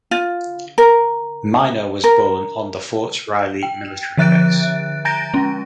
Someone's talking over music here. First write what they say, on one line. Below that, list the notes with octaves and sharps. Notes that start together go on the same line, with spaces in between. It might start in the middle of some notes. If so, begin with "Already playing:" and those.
Minor was born on the Fort Riley military base.
F4
A#4
A#4
G5
D3 F3 E5 F#6 A6 D7
G#5 A#5 G6 A6 A#6 D7
G#3 C#4